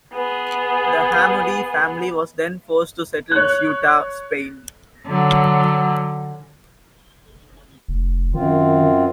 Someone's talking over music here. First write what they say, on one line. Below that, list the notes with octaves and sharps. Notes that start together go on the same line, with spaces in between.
The Hammudi family was then forced to settle in Ceuta, Spain.
B3 G#4
C#5 F#6
D3 F#3
F1
F#2 D#3 C4 F4